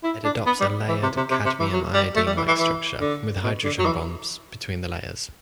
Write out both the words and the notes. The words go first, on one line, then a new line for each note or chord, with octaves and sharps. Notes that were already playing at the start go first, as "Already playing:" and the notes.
It adopts a layered CdI-like structure with hydrogen-bonds between the layers.
E4
D4
B3
G3
E3
C3
C3
C3
C3
E3
F#3
G3
A3
G3
E3
E3
E3
D3
B2
D3
F#3
E3